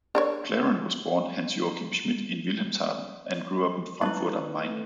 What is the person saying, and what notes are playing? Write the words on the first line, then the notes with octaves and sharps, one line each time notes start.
Clarin was born Hans-Joachim Schmid in Wilhelmshaven, and grew up in Frankfurt am Main.
D4 A#4 C#5
C#4 D#4 E4 B4
A3